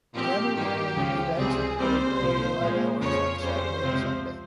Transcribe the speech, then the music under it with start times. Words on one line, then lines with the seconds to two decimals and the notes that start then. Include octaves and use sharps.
Family-oriented events occur during daylight hours on Saturday and Sunday.
0.14 A#2 F3 C4 G4
0.55 G2 D#3 A#3 G4
0.96 C#2 C#3 F3
1.36 C#2 C3 G3 C4 G#4
1.78 C2 A#2 G3 C4 C5
2.19 C2 A#2 F3
2.60 A#2 F3 G#3
3.00 F2 C#3 F3 C#5
3.41 F2 C#3 G3 C#4 C5
3.83 C#2 C3 F3 C4